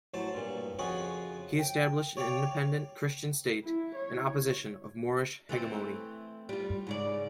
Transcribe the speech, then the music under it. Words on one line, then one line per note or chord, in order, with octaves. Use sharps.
He established an independent Christian state in opposition to Moorish hegemony.
A1 F#3 C5 A5
G2 A#2
F2 C#3 F4 F#4 G#4 F#5
G5
C#5 D5 F5 G5
E4
C#5
E3 A3 C4
G3 F4
G#2 C#3 D5